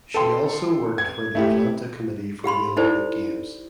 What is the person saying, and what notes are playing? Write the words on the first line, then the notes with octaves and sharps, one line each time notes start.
She also worked for the Atlanta Committee for the Olympic Games.
A4 G5 C6
G#6
A3 E4 G4
G4 F5 B5 C6
D#4 E4 G4 A4 C5 D5